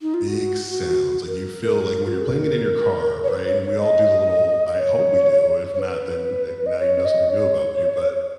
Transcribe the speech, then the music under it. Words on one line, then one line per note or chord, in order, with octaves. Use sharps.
big sounds, like, you feel, like when you're playing it in your car, right, and we all do the little I hope we do, if not, then, like, now you know something new about me, but
D#4
F4
F#4
A#4
F4
F#4
G#4
A#4
C#5
B4
C#5
C#5
D#5
C#5
C#5
B4
D#5
C#5
D#5
C#5